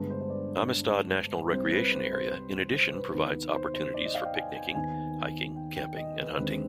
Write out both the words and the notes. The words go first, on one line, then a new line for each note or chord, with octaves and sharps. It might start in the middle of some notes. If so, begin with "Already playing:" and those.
Amistad National Recreation Area in addition provides opportunities for picnicking, hiking, camping and hunting.
Already playing: G2 D3 G#3 B3
C5
C5
D5
C2 C3 G3 C4 C5
B4
C5
C5
C5
C5
B4
D#2 D#3 B3
C5
C5
D5
D#5
F5
G5
G#5
G#5
D#2 D#3 B3 G#5
G5
G5
D#5
B4
D#2 D3 G#3 C4 B4